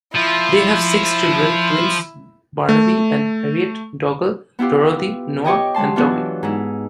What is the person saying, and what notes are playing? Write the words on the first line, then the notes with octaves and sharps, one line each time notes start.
They have six children, twins Barnaby and Harriet, Dougal, Dorothy, Noah and Toby.
F3 E4
A3
B3 E4 F4 G4 F5
G4 C#5 D#5 G5
F#3 G#3 A5 C6
E3 F#3 B3 D4 F4
G#2 D#4 E4